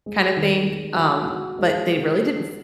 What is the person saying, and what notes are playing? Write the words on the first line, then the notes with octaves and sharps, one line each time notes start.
kinda thing, um, but they really didn't
G#3
D#3
G#3
F#4
F#4
G#3